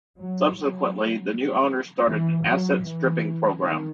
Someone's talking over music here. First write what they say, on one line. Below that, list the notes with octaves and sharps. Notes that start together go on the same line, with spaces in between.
Subsequently the new owners started an asset-stripping programme.
F#3
F#3
E3
F#3
E3
D#3